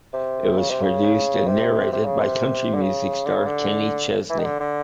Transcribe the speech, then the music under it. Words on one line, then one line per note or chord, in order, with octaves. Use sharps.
It was produced and narrated by country music star Kenny Chesney.
C3
C#3
C3
C#3
C3
C3
C#3
C3
D3
C#3
D3
C#3
D3
E3
D#3
D3
D3